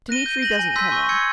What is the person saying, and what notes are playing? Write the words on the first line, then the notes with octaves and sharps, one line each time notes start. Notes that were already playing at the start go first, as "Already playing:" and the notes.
Dmitri doesn't come in.
F#6 A#6 D#7 G7
G6
A#6 D#7 F#7
G#5
C6 E6 G6 B6
C#6
E6 G#6 C#7